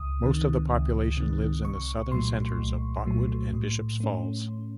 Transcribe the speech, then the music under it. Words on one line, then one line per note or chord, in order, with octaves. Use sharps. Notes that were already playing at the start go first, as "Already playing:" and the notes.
Most of the population lives in the southern centres of Botwood and Bishop's Falls.
Already playing: C#2 D#6
C3 D#3
C#2
C3 D#3
C2 C#6
A#2 F#3 A3 C6
C2
A#2 F#3 A3
A2
A3 C#4